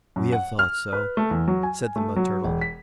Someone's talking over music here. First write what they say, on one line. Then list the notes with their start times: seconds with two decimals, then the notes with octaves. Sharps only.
"We have thought so," said the Mud Turtle.
0.16 F#2
0.32 F#5
0.59 F6
0.93 B4
1.17 A3
1.31 E2
1.48 F#3
1.63 G#5
1.96 A3
2.16 F#3
2.44 E1
2.61 B6